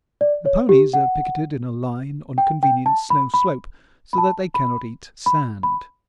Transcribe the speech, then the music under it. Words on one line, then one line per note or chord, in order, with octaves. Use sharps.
The ponies are picketed in a line on a convenient snow slope so that they cannot eat sand.
D5
C#5
G4
F#5
G5
G5
A5
B5
B5
B5
A5
B5
B5
B5